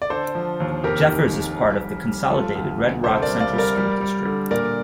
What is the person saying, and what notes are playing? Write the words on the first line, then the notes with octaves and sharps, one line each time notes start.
Jeffers is part of the consolidated Red Rock Central School District.
D5
D3 A4 C5
F3
D#2
F1 G4 A#4
D#3
F1
C2
G3
G3
F3 F4 A4
D2
D2
C3 A4 C5
A#4 D5
G3
D5 F5
G3
A#4 D5
G3
G3
D3
A#2 A#4 D5